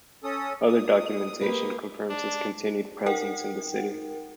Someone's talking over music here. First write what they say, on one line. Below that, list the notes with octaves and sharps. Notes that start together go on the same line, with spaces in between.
Other documentation confirms his continued presence in the city.
C#4 A4 D#6
D#6
A#3 G4 B4
D4
D#4 A#4 F#5 G5